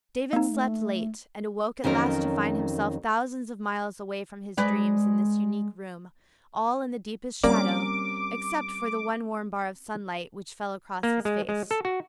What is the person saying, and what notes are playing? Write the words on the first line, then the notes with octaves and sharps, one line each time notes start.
David slept late, and awoke at last to find himself thousands of miles away from his dreams in this unique room, all in the deepest shadow, except for the one warm bar of sunlight which fell across his face.
A#3 C4 D#4
A3
F2 D#3 F#3 C#4 A#4
G#3 B4 D5
G3 A#3 C4 C#4 A#4 D5 D6
A#3
G#3
G#3
A4
F#4